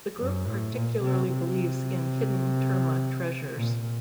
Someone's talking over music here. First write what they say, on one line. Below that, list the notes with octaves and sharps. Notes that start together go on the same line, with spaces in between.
The group particularly believes in hidden terma treasures.
F#2
A2
A#2
C3
C3
A#2